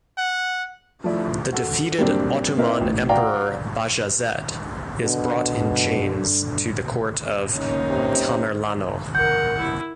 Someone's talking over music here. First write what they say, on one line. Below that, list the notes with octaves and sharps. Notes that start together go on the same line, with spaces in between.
The defeated Ottoman Emperor Bajazet is brought in chains to the court of Tamerlano.
F#5
F3 A3 E4 D5
F#4 A4
F#3 G3 A#3 C4 D4
A#3 C4 D#4 E4 A#4 B4
A1
F#4 D5 F5 G5 A#5
B2 D3
G2 G3
A#3 C#4 D#4
C3
A#4 F#5 G6
E4